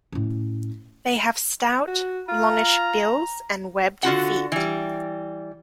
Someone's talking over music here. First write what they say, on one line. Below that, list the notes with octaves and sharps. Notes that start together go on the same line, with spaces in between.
They have stout, longish bills and webbed feet.
A2 C#4
F#4
F4 A#5
D3 F4 F#4 F#5
E3 G3